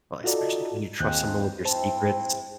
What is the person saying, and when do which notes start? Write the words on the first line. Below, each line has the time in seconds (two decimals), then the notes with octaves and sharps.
well, especially when you trust someone with your secrets.
0.24 D#4 F4 F#4 A4 D5
1.00 D#2 F3 G#3 C4 F#6 G6
1.65 C4 E4 C5 A5